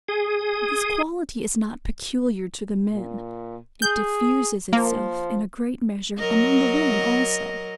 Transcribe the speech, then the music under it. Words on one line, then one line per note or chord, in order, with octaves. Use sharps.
This quality is not peculiar to the men; it diffuses itself, in a great measure, among the women also.
G#4 D#6
A#2
G#4 G6
F3 A#3
F#3 A#4 D#5